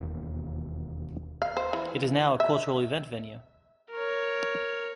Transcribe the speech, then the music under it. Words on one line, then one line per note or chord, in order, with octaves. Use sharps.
It is now a cultural event venue.
E1 D#2
F5
C5
E3
E5
A#4 C#5